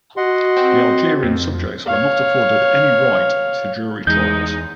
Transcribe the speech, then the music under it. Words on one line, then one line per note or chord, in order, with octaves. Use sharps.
The Algerian "subjects" were not afforded any right to jury trials.
F#4 D#5 F#5 C6
C4
F2
C#5 F5
E2 G#3 D#4 G6